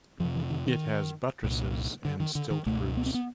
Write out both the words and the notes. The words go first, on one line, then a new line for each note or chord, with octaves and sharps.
It has buttresses and stilt roots.
F2 C3 F3
E3
D#3
D#3
C2 A#2
D3
D#3
D3
D#3
C#2 B2 A3
B3
C4
B3